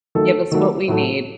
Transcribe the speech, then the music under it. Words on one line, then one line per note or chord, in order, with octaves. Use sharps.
give us what we need.
D#3 F#3 A3 A4
D#3 F#3 A3
A2 F#3 A3